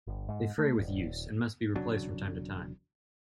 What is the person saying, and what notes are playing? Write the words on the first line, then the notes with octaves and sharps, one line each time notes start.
They fray with use, and must be replaced from time to time.
G1
G#2
A3
D#1
E1 C#3 F#3 D4